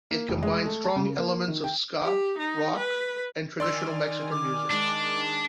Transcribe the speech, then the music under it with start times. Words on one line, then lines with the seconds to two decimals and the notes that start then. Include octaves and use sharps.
It combined strong elements of ska, rock and traditional Mexican music.
0.11 A#3
0.29 F1
0.43 G#3
0.65 A3
0.84 A5
0.96 C#3
1.18 A#3
1.48 D#3
1.64 G5
2.04 G4
2.38 D#4
2.76 B4
3.60 D#3 D5 G#5 C6 E6 F6
4.31 D6
4.70 D#3 G#3 D4